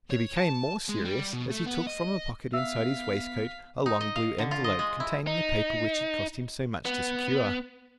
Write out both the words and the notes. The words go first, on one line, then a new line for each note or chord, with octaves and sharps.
He became more serious as he took from a pocket inside his waistcoat a long blue envelope containing the paper which had cost him so much to secure.
C#5
A5
G#3
G3
B2
A3
B3
D#5
B3 E5 F5 E6 B6
D#4
D#5
F5
D3
F4
D#5
G#3
E4
D#4
B3